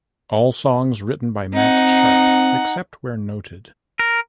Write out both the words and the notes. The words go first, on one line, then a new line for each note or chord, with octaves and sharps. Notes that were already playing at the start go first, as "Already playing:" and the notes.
All songs written by Matt Sharp, except where noted.
C4 D#4 F#5
A#4